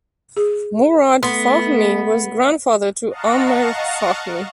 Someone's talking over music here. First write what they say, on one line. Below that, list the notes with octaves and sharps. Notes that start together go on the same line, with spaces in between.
Mourad Fahmy was grandfather to Amr Fahmy.
G#4
A3 B3 C6
D#5 F5 F#5 A5 A#5 C#6